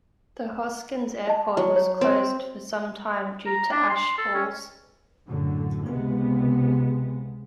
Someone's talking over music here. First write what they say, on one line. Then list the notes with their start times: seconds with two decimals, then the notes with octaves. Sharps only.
The Hoskins airport was closed for some time due to ash falls.
1.27 D#5 A5
1.57 F#3
1.76 C#5
2.01 C4
3.46 A#5
3.72 D4
3.89 C6
4.18 A4
4.34 C#4
5.28 F#2 A2 D3 F#3
5.87 C#2 C3 G#3 B3